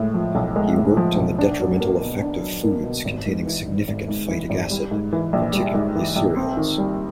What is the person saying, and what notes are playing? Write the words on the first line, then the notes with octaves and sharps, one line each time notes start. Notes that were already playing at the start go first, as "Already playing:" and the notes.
He worked on the detrimental effect of foods containing significant phytic acid, particularly cereals.
Already playing: A2 G#3
F3
B1
G#3
A2
F3
B1
D4
F#3
A#3
B2
D4
F#3
A#3
B2
G#1
G#2
E3
G#1
G#1
G#2
E3
G#1
G3
G#2
E3
A#1
G3
G#2
E3
A#1
C4
D#3
G3